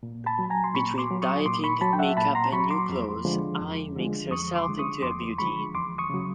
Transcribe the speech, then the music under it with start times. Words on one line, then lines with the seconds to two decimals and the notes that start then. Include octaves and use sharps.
Between dieting, makeup and new clothes, Ai makes herself into a beauty.
0.03 A#2
0.26 A5 B5
0.39 F#3
0.50 G#5 A#5
0.64 C6
0.74 A#2 B5 C#6
0.98 C6 D6
1.11 F#3
1.22 C#6 D#6
1.46 A#2 C6 D6
1.64 B5 C#6
1.81 F#3 A5 B5
1.93 G5
1.99 E5 F#5
2.17 A#2 A5 B5
2.35 A#5 C6
2.53 F#3 B5 C#6
2.71 C6 D6
2.89 F2
3.25 D3 F3 G#3
3.60 F2
3.97 D3 F3 G#3
4.31 F2 C#6 D#6
4.56 C6 D6
4.68 D3 F3 G#3
4.79 C#6 D#6
5.02 F2 C6 D6
5.38 D3 F3 G#3 B5 C#6
5.75 E2 C6 D6
5.98 C#6 D#6
6.10 C#3 F#3